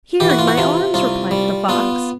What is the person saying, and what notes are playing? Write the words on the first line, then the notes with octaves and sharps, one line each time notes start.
'Here, in my arms,' replied the fox.
E3 G4
F#4
F4
F#4
C3 F4
C2 F4
G3
B3 F4